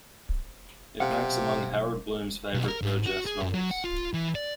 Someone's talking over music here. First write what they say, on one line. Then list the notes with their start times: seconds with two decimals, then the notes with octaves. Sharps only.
It ranks among Harold Bloom's favourite Burgess novels.
1.00 B1 C3 F5 F#5
2.54 B1
2.68 A#4
2.82 G#2
3.06 F#4
3.26 G#4
3.41 F#2
3.54 F#3
3.71 F#5
3.84 F4
4.14 E3
4.35 D5